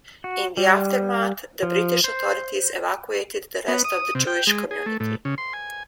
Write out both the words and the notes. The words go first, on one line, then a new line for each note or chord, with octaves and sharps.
In the aftermath, the British authorities evacuated the rest of the Jewish community.
F#4
G3
F3
C5
B3
D#6
C3
G5
G#3
G#4
A3
A2
C#3
C6
G#5